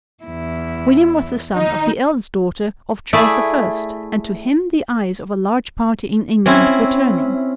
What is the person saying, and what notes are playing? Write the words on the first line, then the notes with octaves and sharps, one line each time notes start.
William was the son of the eldest daughter of Charles I, and to him the eyes of a large party in England were turning.
E2 E4
D#3 D#4
A3 E4 G#4 D5 E5
C4 C#4 E4